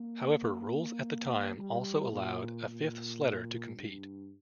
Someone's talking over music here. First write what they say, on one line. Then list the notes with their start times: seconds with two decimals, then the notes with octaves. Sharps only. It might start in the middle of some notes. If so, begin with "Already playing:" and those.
However, rules at the time also allowed a fifth sledder to compete.
Already playing: A#3
1.57 G3
2.12 A#2
2.67 A#2
3.76 G2